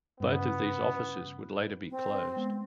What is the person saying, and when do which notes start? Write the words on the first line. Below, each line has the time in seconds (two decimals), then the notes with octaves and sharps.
Both of these offices would later be closed.
0.20 G2 C#3 B3
1.90 C4
2.37 G#3 B3